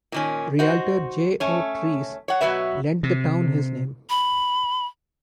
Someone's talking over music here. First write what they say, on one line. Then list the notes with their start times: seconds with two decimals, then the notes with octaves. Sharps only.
Realtor J. O. Treece lent the town his name.
0.12 A#2 D#3 C#4
0.59 D#4 F#4 C5
1.40 A3 C#4 C#5
2.28 C#5 F#5
2.41 B2 F#3 F#4 B4 E5
3.03 C3
4.10 B5